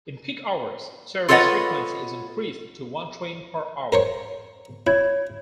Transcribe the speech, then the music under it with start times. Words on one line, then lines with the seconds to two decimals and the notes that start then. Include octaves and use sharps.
In peak hours, service frequency is increased to one train per hour.
1.28 F4 A4 B4 C#5 D#5 F#5
3.92 A#4 C5 C#5
4.87 E4 C#5 G#6